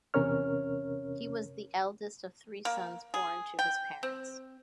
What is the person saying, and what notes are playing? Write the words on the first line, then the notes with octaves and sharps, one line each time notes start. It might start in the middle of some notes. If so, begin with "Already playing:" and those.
He was the eldest of three sons born to his parents.
E2 C3 C#4 A#4 C#5 F6
A#3
G#4
G5
C4